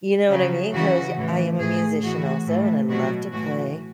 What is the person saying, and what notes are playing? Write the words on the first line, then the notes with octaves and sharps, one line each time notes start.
You know what I mean, 'cause I am a musician also, and I love to play,
C#3 F#3
C#3 E3 F#4
A2 E3
A2 E3 G#4
A2 E3 F#4
A2 E3
B2 F#3 F#4
A2 E3 F#4